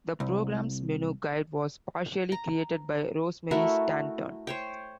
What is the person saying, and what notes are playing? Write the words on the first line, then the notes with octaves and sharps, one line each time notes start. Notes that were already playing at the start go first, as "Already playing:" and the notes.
The program's menu guide was partially created by Rosemary Stanton.
C2
A#5
A3 E4 F#4 A#4
C5 C#5 G5